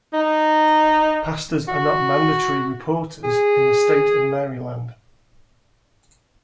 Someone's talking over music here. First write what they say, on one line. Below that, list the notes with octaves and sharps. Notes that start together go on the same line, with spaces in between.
Pastors are not mandatory reporters in the State of Maryland.
D#4
F#4
G#4